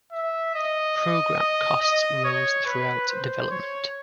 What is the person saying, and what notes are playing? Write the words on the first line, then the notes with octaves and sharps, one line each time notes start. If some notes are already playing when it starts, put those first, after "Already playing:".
Program costs rose throughout development.
E5
D#5
D#5
D#5
D#5
C#5
B4
C5
C#5